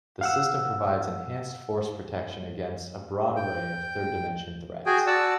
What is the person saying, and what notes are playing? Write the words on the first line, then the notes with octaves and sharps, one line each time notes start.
The system provides enhanced force protection against a broad array of third-dimension threats.
F5 F#5 E6
G5
F#4 G#4 G5 G#5
F#4 D5 F#5 A5 E6